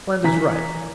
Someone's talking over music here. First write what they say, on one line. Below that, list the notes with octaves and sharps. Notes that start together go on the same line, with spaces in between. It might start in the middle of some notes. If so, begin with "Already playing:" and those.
Land is right.
E3 A#5 B6